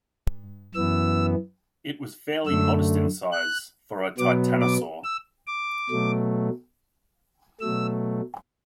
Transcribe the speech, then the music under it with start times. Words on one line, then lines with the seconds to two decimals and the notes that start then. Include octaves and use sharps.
It was fairly modest in size, for a titanosaur.
0.75 F#2 E3 B3 E6
2.46 F#2 D3 A3 E6
3.32 F#6
4.18 B2 F#3 B3 D6
4.61 D6
5.04 E6
5.47 D6
5.90 B2 F#3 A3
7.61 B2 F#3 A3 E6